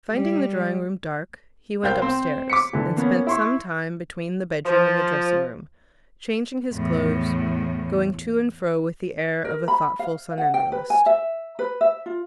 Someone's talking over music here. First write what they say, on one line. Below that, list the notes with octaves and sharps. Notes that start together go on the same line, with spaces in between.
Finding the drawing-room dark, he went upstairs, and spent some time between the bedroom and the dressing-room, changing his clothes, going to and fro with the air of a thoughtful somnambulist.
G3
C2 A#4 C5 F5 G5 G6
C4 C5
D6 B6 C#7
D3 E3
A#3 B3 C#4
E4 C6 C#6
F3
E2 A2
A#4
B5
F5
F#5
G5
B4
G#5
E5
B4
E5
F4